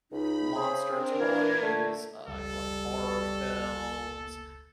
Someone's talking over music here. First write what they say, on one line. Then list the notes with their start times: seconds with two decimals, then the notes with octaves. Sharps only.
monster toys, uh, I collect horror films,
0.11 C#2 D#4 B5
0.55 C#3 G#4 C5
0.91 C4 D4 A#4
1.21 E3 F5 G#6
1.62 D3 A3
2.28 F1 C#2 G3 A4